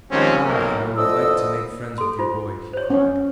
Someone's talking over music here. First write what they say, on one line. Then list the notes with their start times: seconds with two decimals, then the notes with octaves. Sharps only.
"Ah, how I would like to make friends with your boy!" he cried.
0.11 D#3 F3 G3 G#3 C4 C#4
0.45 B1 A#3 A#4
0.97 A2 D3 F3 D#5 D#6 E6
1.98 A4 C6
2.19 F4 C5
2.73 C5 C#5
2.90 C#4